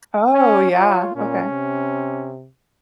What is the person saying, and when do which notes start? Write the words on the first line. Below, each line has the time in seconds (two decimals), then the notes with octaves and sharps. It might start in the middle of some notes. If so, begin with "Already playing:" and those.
Oh, yeah. Okay.
0.34 C#4 G#5
0.72 F4 C#5
1.16 A#2 C#4
1.50 C3